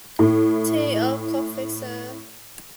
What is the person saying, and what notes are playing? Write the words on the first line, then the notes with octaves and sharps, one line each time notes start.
Tea or coffee, Sir?
A2 E4